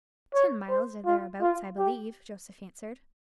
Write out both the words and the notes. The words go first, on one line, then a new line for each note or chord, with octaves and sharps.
"Ten miles, or thereabouts, I believe," Joseph answered.
C#5
C5
F4
F4
G4